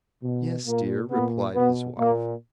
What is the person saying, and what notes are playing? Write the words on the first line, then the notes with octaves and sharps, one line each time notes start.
"Yes, dear," replied his wife.
B2
A#2 A#3
A#2 B3
B2 B3
A#2 A#3